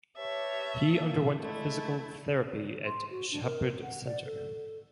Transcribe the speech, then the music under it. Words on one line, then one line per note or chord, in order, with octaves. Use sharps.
He underwent physical therapy at Shepherd Center.
G4 B4 C#5 E5 A5
A#3
G#3 A3 E4
C6
F#4
D4
A#4
F#5
D5
A4